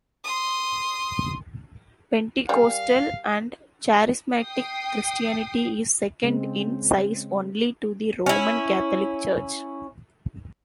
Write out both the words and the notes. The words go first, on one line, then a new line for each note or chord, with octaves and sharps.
Pentecostal and Charismatic Christianity is second in size only to the Roman Catholic Church.
C6 D#6
G3 A#4 D5 F5 G#5
G5 D#6 C7
C#3 G#3 C4
C#4 E4